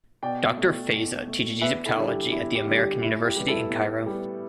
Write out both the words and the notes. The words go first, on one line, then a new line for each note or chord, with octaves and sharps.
Doctor Fayza teaches Egyptology at the American University in Cairo.
B2 D5 G5
A3
B2
A3
E2 B4 E5
E4 A4
D3 G3
G4
E2 E4
G4
D3 G3
G4
A2 E4
G4
G3 B3
E4 A4
A2
G3 B3